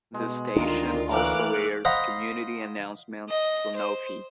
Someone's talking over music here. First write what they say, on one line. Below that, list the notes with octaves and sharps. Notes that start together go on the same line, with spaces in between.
The station also airs community announcements for no fee.
B2 G#3
D2 D#3 D4 F4 A#4
A2 E3 A3 A#3 D6 F6 F#6
C5 D#5 F5 F#5 A#5 B5
D#5
C5